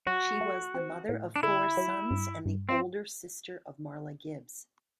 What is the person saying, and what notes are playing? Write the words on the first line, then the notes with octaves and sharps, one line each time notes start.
She was the mother of four sons, and the older sister of Marla Gibbs.
F#3 F#4
A3
C4
A2
D4
D3 E4
F#3
G2
G2
C4